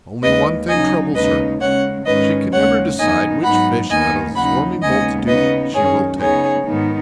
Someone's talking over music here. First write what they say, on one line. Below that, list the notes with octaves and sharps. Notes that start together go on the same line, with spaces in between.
Only one thing troubles her; she can never decide which fish out of the swarming multitude she will take.
D#2 D#3 G#3 B4 D#5
C#3 F#3 D#4 D#5 G#5
D#2 C#3 G#3 D#4 B4 D#5
C#3 G#3 C#4 C#5 F#5
G#2 D#3 G#3 C#4 B4 D#5
D#2 C#3 G#3 C#4 C#5 F#5
F#2 D#3 B3 D#4 D#5 G#5
G#2 F#3 B3 D#4 F#5 B5
D#2 D#3 B3 D#4 D#5 G#5
D#2 C#3 F#3 D#4 F#5 B5
D#2 C#3 G#3 B3 D#4 D#5 G#5
C#3 B3 D#4 B4 D#5
F#2 D#3 F#3 C#4 G#4 C#5
C#3 B3 D#4 G#4 C#5
G#2 D#3 B3 D#4